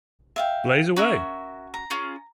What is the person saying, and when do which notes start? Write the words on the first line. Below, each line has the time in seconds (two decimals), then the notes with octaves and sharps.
Blaze Away!
0.36 E5 F5 G5
0.96 C#4 F#4 A#4 E5
1.74 A#5
1.90 C#4 F4 G#4